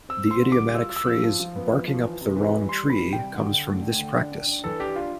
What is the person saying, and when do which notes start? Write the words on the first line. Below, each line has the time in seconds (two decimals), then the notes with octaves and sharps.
The idiomatic phrase "Barking up the wrong tree" comes from this practice.
0.09 C4 E6
0.25 C4
0.31 C6
0.42 D3
0.52 D6
0.57 G3
0.74 F4 E6
0.90 F4
0.96 E6
1.06 F3
1.23 F3
1.40 F3
1.56 B3
1.72 F3
1.88 F3
2.04 E3
2.21 C3
2.36 E3
2.52 G3
2.69 G3 C6
2.85 E3 B5
3.01 C3
3.13 G5
3.18 G3
3.34 D3
3.50 D3
3.67 A3
3.82 D3
3.99 D3
4.15 D4
4.32 D4
4.47 D4
4.64 E3 A4
4.79 D4 G4
4.96 D4 F4